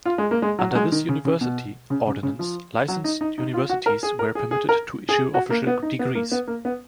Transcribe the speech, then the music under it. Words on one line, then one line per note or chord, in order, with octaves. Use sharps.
Under this University Ordinance, licensed universities were permitted to issue official degrees.
F4
G#3
A#3
G#3
F#3
F#3
G#3
D#3
C#3
C#3
B2
C#3
C#3
C#3
F3
F#3
D#4
D#4
D#4
F4
F#4
A#4
G#4
A#4
G#4
G#4
A#4
G#4
F#4
A#3
B3
D#4
B3
A#3
B3
A#3
B3